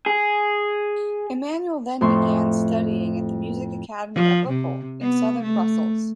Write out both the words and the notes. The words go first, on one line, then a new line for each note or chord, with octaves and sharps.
Emmanuel then began studying at the "Music Academy of Uccle" in Southern Brussels.
G#4
F2 A2 C6 C#6
F3
C3
B3
A3